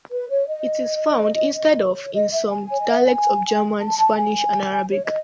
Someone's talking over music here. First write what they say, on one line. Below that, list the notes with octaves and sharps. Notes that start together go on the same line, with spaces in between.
It is found instead of in some dialects of German, Spanish and Arabic.
B4
C#5
D#5
C#5
D#5
E5
G#5
C#5
D#5
E5
F#5
G#5
A5
A5
G#5
C#5
D#5